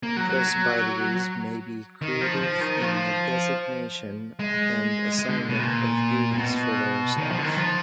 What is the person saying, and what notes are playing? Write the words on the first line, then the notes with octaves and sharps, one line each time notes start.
Presbyteries may be creative in the designation and assignment of duties for their staff.
A#3
F#3
F#3
D#3
F3
F3
D#3
F3
G#3
G#3
D3
B2
A#2
A#2
B2
D#3
F3
D3
D#3
F3